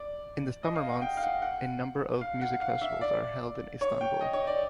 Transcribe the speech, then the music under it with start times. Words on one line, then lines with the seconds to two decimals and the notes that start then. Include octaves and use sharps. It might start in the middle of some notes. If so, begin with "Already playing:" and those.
In the summer months, a number of music festivals are held in Istanbul.
Already playing: D5
0.63 D#5
0.75 F5
0.89 F#5
1.02 G5
1.17 F5
1.23 F#5
1.42 F#5
2.21 F5
2.41 F#5
2.61 F5
2.81 E5
3.01 D5
3.81 C#5
4.01 G5
4.21 D#5
4.33 C#5
4.47 D5